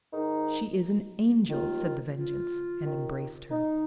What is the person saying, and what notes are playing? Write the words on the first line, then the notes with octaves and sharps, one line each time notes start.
"She is an Angel!" said The Vengeance, and embraced her.
G#2 D#3 D#4
D#2 D#3 F4
F4
D#2 D#3
D#4